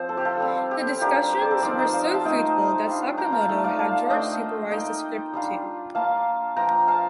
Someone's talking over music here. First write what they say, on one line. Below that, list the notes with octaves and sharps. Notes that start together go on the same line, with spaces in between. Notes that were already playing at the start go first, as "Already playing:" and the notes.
The discussions were so fruitful that Sakamoto had George supervise the script too.
Already playing: F3 C4 C5
A4
G4
F4 A4
G3 C4 F4
G4
G3 D4 F4 G4 A#4
C5
D5
A4 C5
F3 C4 D#4 A#4 D5
C5 D#5
D5 F5
D#5 G5
F5 A5
A3 D#4 D#5 G5
G3 D4 F4
G5 A#5
F5 A5
A3 D#4
D5 F5
F5 A5
A3 D4 F4 D#5 G5
A#3 D#4 D#5 G5
G3 D4 F4
A#3 F4 F5 A5
F3 A#3 F4 G5 A#5
F5 A5